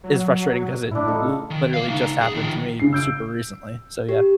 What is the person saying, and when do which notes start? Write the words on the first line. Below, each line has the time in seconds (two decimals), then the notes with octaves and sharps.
is frustrating 'cause it literally just happened to me super recently, so yeah.
0.04 F#3
0.91 A2 D4 E4
1.08 D#4 F4 A4
1.50 D#3
1.74 A3 F5
1.88 C#2 D#4
2.20 C#2 G#4
2.35 D#3 F3
2.80 C#3 C7
2.93 E6 G6 D7
4.09 G4